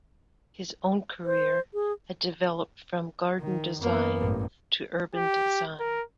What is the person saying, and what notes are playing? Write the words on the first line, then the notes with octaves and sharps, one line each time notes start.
His own career had developed from garden design to urban design.
C5
G#4
D#3
F#2 A#3 B3
A1 G2
G4
A#4